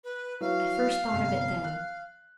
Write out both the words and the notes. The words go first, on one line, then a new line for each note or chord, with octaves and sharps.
I first thought of it then.
B4
F#3 E4 B4 F5
G1 C3
F#6